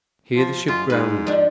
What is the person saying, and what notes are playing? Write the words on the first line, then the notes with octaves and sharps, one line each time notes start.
Here the ship grounded.
F3
F#2 F4
G#2 B4
F3 D4